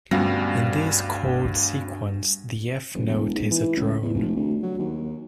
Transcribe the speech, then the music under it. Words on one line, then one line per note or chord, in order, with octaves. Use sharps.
In this chord sequence, the F note is a drone.
D2 G2 B2 G3 C#4 F5 A#6
F#1
E1
G#2
E3
C#2
E2
F1
D2
F#3
D#2